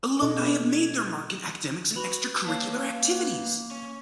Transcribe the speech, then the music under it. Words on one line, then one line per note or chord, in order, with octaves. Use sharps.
Alumni have made their mark in academics and extra curricular activities.
B2 A4 D#5
B3
G#6
F#4 B4 B5 F7
A#3 B4 C#5 F5 A5
C#4